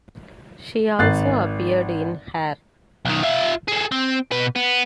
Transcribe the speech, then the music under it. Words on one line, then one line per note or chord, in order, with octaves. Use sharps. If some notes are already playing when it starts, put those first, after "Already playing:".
She also appeared in Hair.
G#1 F#6 A6 C7
B1 D#3
F4 E5
G#4 A4
C4
B2 B4
B3